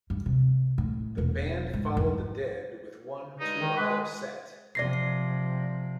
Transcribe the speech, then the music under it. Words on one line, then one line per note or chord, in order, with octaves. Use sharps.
The Band followed the Dead with one two-hour set.
G2
C3
A2
E1
G#2
F2
G2 G#3 D#4
D#3
G#3 B4
C3 F3 D5 A#6 C7